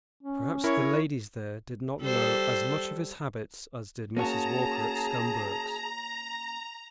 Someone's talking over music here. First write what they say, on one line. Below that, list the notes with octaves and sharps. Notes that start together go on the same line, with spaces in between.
Perhaps the ladies there did not know as much of his habits as did Mrs. Walker at Scumberg's.
C#4
E4 A#4 C#5
G3 A4 C5
A#3 C#4 F#4 G#4 A5 A#5